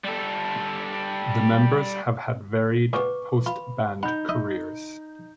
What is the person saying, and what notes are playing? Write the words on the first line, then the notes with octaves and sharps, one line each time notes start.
The members have had varied post-band careers.
G3 A4
C#2 A#2 B3 B4 C#6 D6
F4 B5
D#4 F#5 B5 G6
D#4 D#5 E5